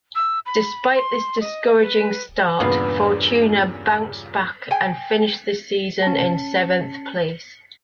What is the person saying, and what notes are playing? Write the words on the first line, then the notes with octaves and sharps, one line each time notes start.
Despite this discouraging start, Fortuna bounced back and finished the season in seventh place.
E6
B5
C6
D#5
B4
E2 G2 A#2 C#3 B3 F5
G5 G#5
C#4 A5